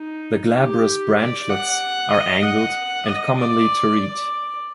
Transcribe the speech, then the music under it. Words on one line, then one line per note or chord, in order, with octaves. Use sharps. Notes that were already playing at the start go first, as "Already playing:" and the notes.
The glabrous branchlets are angled and commonly terete.
Already playing: D#4
G4
D5
F#5
D#5
F#5
D#5
D5
D5